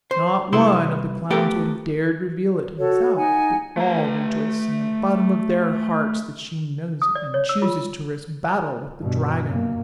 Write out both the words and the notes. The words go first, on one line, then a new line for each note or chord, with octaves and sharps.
Not one of the clowns would have dared reveal it himself, but all rejoice in the bottom of their hearts that she knows it, and chooses to risk battle with the Dragon.
C5
C2 C3 B3 E4 C6
A3 B3 G4 A4 A#4
F#4 A4 C#5
D#4 F#5 G#5
A3 A#5
D#6
D5
C#5
E6
F4
G2 B2
F#2 A#3